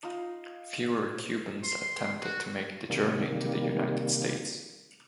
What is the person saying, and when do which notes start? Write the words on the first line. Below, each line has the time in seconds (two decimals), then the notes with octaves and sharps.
Fewer Cubans attempted to make the journey to the United States.
0.03 D#4 F4
1.63 C6
2.22 F#4
2.90 C3 D#3 G3 A#3